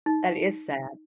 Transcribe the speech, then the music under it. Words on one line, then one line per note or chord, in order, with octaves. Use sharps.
That is sad.
D#4